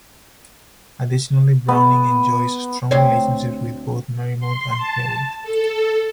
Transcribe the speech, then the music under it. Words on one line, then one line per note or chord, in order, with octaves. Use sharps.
Additionally, Browning enjoys strong relationships with both Marymount and Hewitt.
B3
D2 C4 C#5
C6
A5
A4